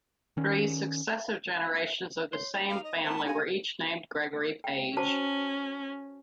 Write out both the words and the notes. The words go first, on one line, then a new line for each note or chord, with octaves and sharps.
Three successive generations of the same family were each named Gregory Page.
D#3 C#4
C#5 C6
D#4 A#4 A#5
F5
D#5
B3 C4 C5 A5
D4 G4 C#5 D#5 F5 G#5
G5
C#4 F#4 C5 A5